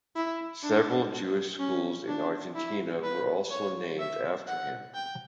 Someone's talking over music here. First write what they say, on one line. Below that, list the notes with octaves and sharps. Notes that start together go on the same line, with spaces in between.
Several Jewish schools in Argentina were also named after him.
E4
D4
C#4
D4
E4
B4
C#5
E5
F#5
G5